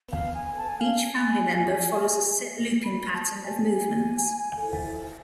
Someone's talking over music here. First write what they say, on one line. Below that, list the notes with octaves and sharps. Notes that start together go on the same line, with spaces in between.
Each family member follows a set looping pattern of movements.
F5
G#5
A5
G#5
F5
G#5
B5
A5
G#5